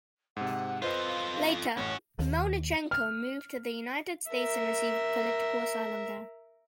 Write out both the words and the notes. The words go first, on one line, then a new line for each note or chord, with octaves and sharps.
Later, Melnychenko moved to the United States and received political asylum there.
G#2 C3 F#5
F4 A4 B4 C5 D#5 F5
A1 A2 C#4 F#4 C#5
D#2
F6
A#4 E5